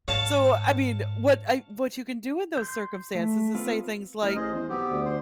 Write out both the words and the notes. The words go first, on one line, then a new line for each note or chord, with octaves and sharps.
so, I mean, what I what you can do in those circumstances is say things like,
G#2 C#5 F5 A5
C6 G6
A3
B3 C4 F4
A1 A#4 D#5
A1 G#4 C5 D#5
E2 C5
B1 B3 C4 G4
D2
C5 C6